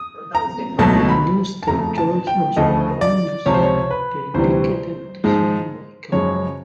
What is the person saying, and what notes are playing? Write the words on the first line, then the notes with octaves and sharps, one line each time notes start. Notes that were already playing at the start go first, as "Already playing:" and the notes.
A new stave church was built on the site, dedicated to Saint Michael.
Already playing: D#6
A#5
C#2 B2 F#3 A3 A5
B5
A5
F2 C#3 F3 A3 A#5
A5
G5
D2 C#3 F3 A3 D#5
D5
C#2 C3 F3 C#5
C5
C#5
B4
D2 C3 E3 G3 C5
G#2 F3 G#3
F#2 C#3 F3 G#3 C#5